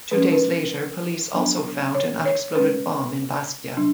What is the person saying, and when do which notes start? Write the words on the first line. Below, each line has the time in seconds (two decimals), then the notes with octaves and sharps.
Two days later police also found an unexploded bomb in Bastia.
0.11 F3 G#3 C#4 B4
0.32 B4
1.34 F#3 B3 D4
1.95 C#5
2.25 C#5
2.55 G#3 C#4 B4
3.77 F#3 D4